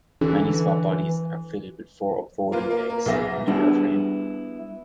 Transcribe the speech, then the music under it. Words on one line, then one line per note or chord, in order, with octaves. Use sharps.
Many swap bodies are fitted with four up-folding legs under their frame.
D3 E3
A#3 F4 B4
A#3
A#3
B1 B3 G#4 E5 A#6
G3 B3 D4 E4 F#4 G#4